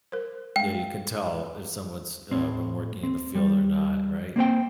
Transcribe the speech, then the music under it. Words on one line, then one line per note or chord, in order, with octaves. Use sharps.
Yeah, you can tell if someone's, uh, been working in the field or not, right?
A#4 C5
G#3 F5 G5
A2 C4
C4
G3
A#3 C4 C5 G5